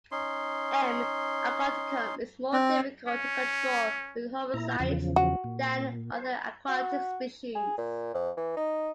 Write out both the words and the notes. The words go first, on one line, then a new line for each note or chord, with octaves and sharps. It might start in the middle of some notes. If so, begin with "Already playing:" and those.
M. aquaticum is more difficult to control with herbicides than other aquatic species.
C#4 D#4 C6
C4
C#4
A#2 E4 A#5
E2 C#3 F3
F#4
A#2
C5
F#4
G#4
A#2
F2
E3
D#4